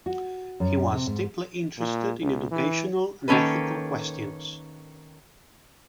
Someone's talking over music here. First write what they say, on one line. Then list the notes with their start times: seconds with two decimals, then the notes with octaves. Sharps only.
He was deeply interested in educational and ethical questions.
0.06 F#4
0.60 F#2
0.93 C3
1.07 G#2
1.78 A#2
2.22 C#2
2.51 E3
3.28 D#3 A#3 C#4 A4 B4